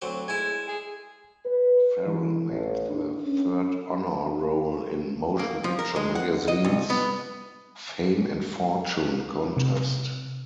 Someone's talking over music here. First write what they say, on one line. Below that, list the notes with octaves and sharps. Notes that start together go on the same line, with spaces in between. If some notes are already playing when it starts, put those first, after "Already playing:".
Farrell made the third honor roll in "Motion Picture Magazine's" "Fame and Fortune Contest".
D2 F#3 C4
G#3 E4 G#5
G#4
B4
E3
A1
D4
C#4
A#3
F3
A#4
G#3
F#5
D#5
C2
B3
C3